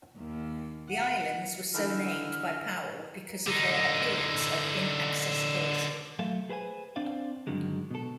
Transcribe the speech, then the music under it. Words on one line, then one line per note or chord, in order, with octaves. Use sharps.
The islands were so named by Powell because of their appearance of inaccessibility.
D#2
F#5
D3 E3 D4 D#4 F6
D3 D#4
F#3 A3 A4 E5 F5
G#4 B4 C5 G5 G#5
C4 D4 C5 D5 F5
G2 D3 D#3 F#3 G#3
B2 A4